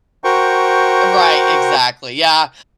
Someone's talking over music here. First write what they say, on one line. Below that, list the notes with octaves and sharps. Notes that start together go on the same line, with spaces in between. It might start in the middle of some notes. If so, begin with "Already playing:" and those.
Right, exactly, yeah.
F#4 A#4 C5 G5 C#6